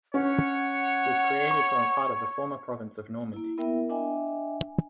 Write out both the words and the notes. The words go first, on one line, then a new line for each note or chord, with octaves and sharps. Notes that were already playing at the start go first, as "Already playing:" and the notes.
It was created from a part of the former province of Normandy.
C#4 C#5 F#5
C#6
A#3 E4
B3 E4 A#4 E5 G5
D4 D#5 E5 G5 G#5